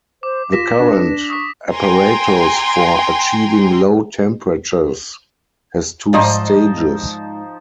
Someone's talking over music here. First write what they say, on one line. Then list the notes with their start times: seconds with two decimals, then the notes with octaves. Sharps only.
The current apparatus for achieving low temperatures has two stages.
0.23 C5 D6
0.52 F4 A#6 B6 E7
0.79 D4 B4
1.30 C#6 D#6 B6
1.73 G5 G#5 A#5 C6
6.13 G#2 F3 D#4 C5 D5 D#5